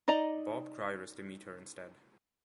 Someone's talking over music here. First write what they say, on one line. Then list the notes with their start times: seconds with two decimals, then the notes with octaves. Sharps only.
Bob Cryer is to meet her instead.
0.08 D#4 D5 D#5 A#5